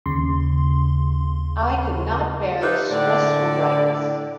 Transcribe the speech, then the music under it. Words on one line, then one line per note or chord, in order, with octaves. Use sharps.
I could not bear the stressful brightness.
D#2 C#3 C6
D#4 E4 G4 A4 B4 C5
A2 D3 D5